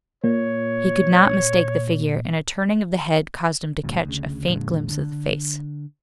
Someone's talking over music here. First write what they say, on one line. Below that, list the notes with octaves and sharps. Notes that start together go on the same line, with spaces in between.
He could not mistake the figure, and a turning of the head caused him to catch a faint glimpse of the face.
A#2 C#5
D2 G2 A#2
D2 C#3
F2 A#2 D3 G#3
D3